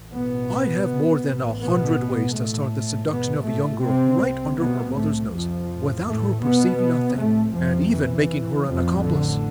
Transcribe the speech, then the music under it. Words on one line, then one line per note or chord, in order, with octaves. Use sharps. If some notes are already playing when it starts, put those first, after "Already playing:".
I have more than a hundred ways to start the seduction of a young girl right under her mother's nose, without her perceiving a thing, and even making her an accomplice.
Already playing: A1 A2
B2 B3
A1 A2
B2 B3
A2 A3
A1 G#2
B2 B3
A2 A3
C3 C4
C2 C3
B2 B3
A2 A3
F2 F3
A1 A2
A2 A3
B2 B3
C2 A2 C3 A3
F2 F3
E3
A1 F2 A2 F3
D3